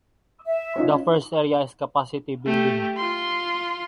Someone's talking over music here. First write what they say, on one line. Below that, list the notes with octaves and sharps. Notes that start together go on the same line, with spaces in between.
The first area is capacity building.
E5
C#4 D#4 F4
A3 G4
F4 C6